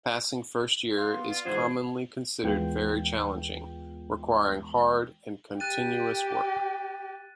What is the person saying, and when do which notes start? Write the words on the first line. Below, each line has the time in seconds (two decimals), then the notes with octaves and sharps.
Passing first year is commonly considered very challenging, requiring hard and continuous work.
0.97 F5 C6
1.14 B3
1.31 F4 D5
1.45 G#2 E3 F4 G#4 C5 F#5
2.43 D#2 E3 G#3 B3 F4 G5
5.60 G4 F#6 A6 D#7